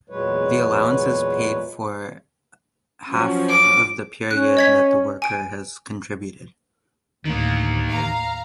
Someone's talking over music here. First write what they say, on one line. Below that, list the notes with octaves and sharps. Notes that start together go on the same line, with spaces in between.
The allowance is paid for half of the period that the worker has contributed.
E2 A#2 F#3 G#3 B4 C#5
F3 F#3 C#4
D6
C#4 F#6
D#5 G#6 B6
G#5 D7
D2 A2 D#3 A#3
D#2 F5 A#5